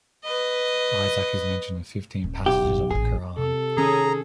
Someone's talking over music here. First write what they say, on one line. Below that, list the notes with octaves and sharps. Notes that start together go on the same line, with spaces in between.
Isaac is mentioned in fifteen passages of the Qur'an.
B4 D#5
D#1
B1 G4
G1 A2
A1 A#2 G#4
C3 A4
D#3 C#4 G#4 A#5